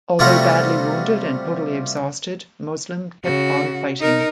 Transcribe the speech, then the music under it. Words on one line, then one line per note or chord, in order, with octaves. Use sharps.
Although badly wounded and totally exhausted, Muslim kept on fighting.
C3 G3 A3 F4 F#4
C#3 F#4
D#4 A#4